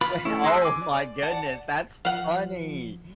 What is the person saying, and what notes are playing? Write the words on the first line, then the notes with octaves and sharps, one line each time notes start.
Oh my goodness, that's funny.
F4 B4 B5
A3 C#4 E4
G#4 D#5 C6 E6 F#6
G#5 D6
D5
D5 F#5 A5
F3 F5 F#5